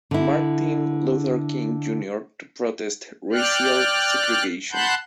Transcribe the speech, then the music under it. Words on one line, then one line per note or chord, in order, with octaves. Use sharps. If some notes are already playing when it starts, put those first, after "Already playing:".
Martin Luther King Junior to protest racial segregation.
D3 E4
D5 G5 F6 F#6
F#5 A5 B5 C6 F#6 G6